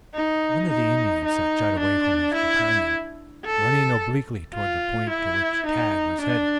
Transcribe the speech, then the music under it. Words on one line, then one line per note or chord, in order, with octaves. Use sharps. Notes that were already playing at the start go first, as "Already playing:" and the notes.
One of the Indians had shot away from his companion, running obliquely toward the point to which Tad was headed.
D#4
D#4
D#4
D4
E4
A4
F4
E4
D#4
D4